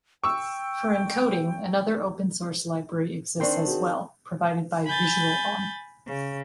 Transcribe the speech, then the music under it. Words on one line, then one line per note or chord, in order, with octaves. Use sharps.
For encoding, another open-source library exists as well, provided by VisualOn.
G5 C#6 E6
D#3 C4 D4 G5 C6 C#6
F#4 G#4
G#5 B5 G6 A6
C#3